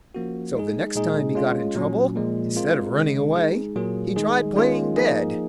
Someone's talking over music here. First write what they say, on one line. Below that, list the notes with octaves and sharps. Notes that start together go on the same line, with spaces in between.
So the next time he got in trouble, instead of running away, he tried playing dead.
F3 A#3 C#4 F#4
G#3 D#4 G#4
A#2 G#3 D#4 G#4
G#3 C#4 F4
A#2 F#3 C#4
A#2 F3 G#3
G#3 C4 F4 A#4
C3 D#3 G#3 C#4
G#3 D#4 G#4
A#2 F#3 A#3 F4 G#4
D#3 G#3 D#4 G#4
D#3 G#3 C#4 F4
F3 A#3 D#4 G#4